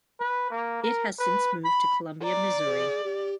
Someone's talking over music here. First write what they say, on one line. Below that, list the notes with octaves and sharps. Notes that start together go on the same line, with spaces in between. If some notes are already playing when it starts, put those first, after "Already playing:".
It has since moved to Columbia, Missouri.
B4
A#3
A#4
B4
B5
D5 A#5
G#4
G4